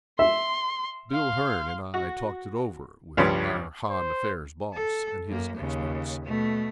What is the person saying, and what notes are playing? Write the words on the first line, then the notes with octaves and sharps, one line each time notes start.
Bill Hearn and I talked it over with our Han-affairs Boss and his experts.
E5 C6
F5 C6
F#4
C#2 G2 F3 G4 C#5 C6
C5
A4
F#2 A#3
D#2 C#3
B2 A3